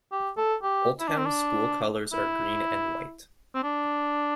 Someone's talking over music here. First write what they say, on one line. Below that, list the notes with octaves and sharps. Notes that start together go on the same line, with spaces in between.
Old Town's school colors are green and white.
G4
A4
G4
E4
D4
C4
D4
E4
C4
D4